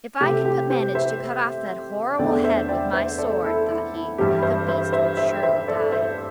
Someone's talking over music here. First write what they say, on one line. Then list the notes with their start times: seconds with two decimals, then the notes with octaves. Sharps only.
"If I can but manage to cut off that horrible head with my sword," thought he, "the beast will surely die."
0.21 C3 A3 C4 G4
0.45 G4
0.70 G4 C5
0.95 C5 E5
2.19 E2 D3 A3 C4 D5 G5
2.44 C5 E5
2.69 D5 G5
2.93 C5 E5
3.18 A4 D5
3.44 E4 A4
3.68 E4
3.94 E4
4.18 G2 E3 G3 C4 G4
4.43 C5 E5
4.68 C5 E5
4.93 C5 E5
5.17 C5 E5
5.34 G5
5.43 C5 E5
5.68 A4 D5
5.92 C5 E5